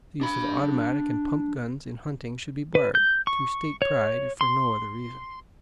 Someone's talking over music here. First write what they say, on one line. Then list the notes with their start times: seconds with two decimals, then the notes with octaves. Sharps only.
The use of automatic and pump guns in hunting should be barred,--through state pride, if for no other reason.
0.21 D4 B5
2.75 B4
2.95 G6
3.27 C#6
3.82 C#5
4.41 C6